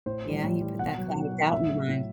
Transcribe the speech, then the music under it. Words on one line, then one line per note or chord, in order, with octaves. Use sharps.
yeah, you put that cloud of doubt in your mind.
A2 C5
E3 G3
A2
E3 G3
B2 F#5
F#3
B2
F#3
A2 E5
F#3
A2